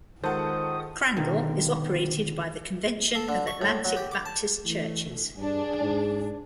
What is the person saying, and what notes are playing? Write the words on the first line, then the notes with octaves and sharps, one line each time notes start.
Crandall is operated by the Convention of Atlantic Baptist Churches.
D#3 G#3 F4 A4 C5 F#5 D#6
B2 D3 D#3
A4
D3
C#6
A2
F#3
G4
D6
A5
E3 A3
G2 D4 G#4
G#2